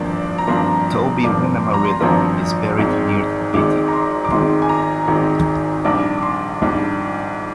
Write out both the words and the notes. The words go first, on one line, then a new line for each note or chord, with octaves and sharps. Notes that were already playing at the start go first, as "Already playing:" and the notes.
Toby "Winema" Riddle is buried near Beatty.
Already playing: G#1 G2 F3 A#3 D4 D5
A#5
G#1 G2 F3 A#3 D4 C6
G#1 G2 F3 A#3 D4 D6
C6
A#5
C6
G#1 G2 F3 A#3 D4
G#1 G#2 D#3 G#3
G#1 G#2 D#3 G#3 D6
A#5
C6
D6
G#1 G#2 D#3 G#3 C6
G#5
A#5
G#1 G#2 D#3 G#3
A#1 G#2 G3 D4 D6
D6
C6
A#1 G#2 G3 D4